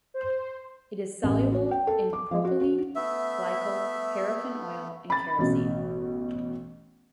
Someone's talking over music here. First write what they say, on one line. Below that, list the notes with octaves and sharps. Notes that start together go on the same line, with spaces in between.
It is soluble in propylene glycol, paraffin oil, and kerosene.
C5
A1
F#4
G5
A4
D6
F3
F#4
F#4
A3 B3 E5
B5 A6
A1 B2